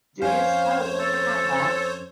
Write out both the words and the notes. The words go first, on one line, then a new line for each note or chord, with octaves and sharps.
Do you suppose I could have that?
F2 C#4 C5 C#5 F5 G#5
A4